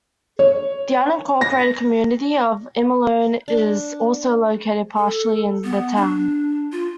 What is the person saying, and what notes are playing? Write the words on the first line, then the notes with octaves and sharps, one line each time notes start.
The unincorporated community of Imalone is also located partially in the town.
C#5
A#6
D4
A4
B3
D4
F4